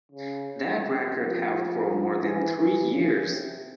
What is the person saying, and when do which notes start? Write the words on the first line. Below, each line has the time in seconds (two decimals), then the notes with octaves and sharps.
That record held for more than three years.
0.11 C#3
1.16 F3
2.21 E3
2.56 E3
2.91 C#3
3.27 C3